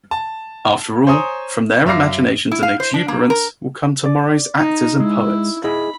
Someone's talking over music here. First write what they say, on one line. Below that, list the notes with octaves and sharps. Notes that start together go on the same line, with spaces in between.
After all, from their imaginations and exuberance will come tomorrow's actors and poets.
A5
C5 C#5 G#5 A#5 D#6
F#2 E5 F5 D6 A#6 C7
E4
F5
C5
D4
A#3
A#4
D5
D#4
G#3 E4
E4 G#4 D#5 B5